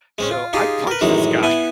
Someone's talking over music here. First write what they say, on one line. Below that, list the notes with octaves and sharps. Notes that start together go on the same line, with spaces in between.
So, I punched this guy,
G#3 C4 C#4
F4
D#4 F4 G4 G#4
A#4 B4
A1 F#2 D#3 G#3
B3 E4 G#5